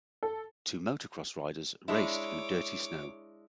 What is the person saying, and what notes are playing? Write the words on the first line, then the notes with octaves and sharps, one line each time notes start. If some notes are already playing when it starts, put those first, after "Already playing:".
Two motorcross riders race through dirty snow.
A4
G#3 D4 E4 C#5 D6